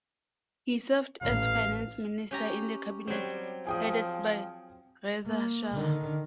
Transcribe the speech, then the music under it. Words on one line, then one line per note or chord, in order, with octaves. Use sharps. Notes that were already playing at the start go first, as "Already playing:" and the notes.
He served as finance minister in the cabinet headed by Reza Shah.
A1 F5
C#4 G4 A#5
F#3 G3 C4
F3 G#4 G5 D#6
A#3
D3 D#3